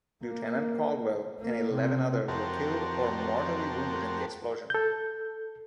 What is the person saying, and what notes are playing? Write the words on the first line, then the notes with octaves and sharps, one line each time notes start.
Lieutenant Caldwell and eleven others were killed or mortally wounded in the explosion.
A#3
A#3
C3
F2 C4 F#4 G4 A#4 A5
A4 G6